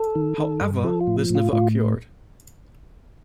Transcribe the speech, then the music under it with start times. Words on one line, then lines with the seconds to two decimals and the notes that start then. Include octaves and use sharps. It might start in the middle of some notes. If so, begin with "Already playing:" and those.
However, this never occurred.
Already playing: A4
0.15 D#3
0.38 D#3
0.61 G2
0.84 F3 A4
1.01 F4
1.07 A2
1.30 A2
1.35 F4
1.53 A2 F4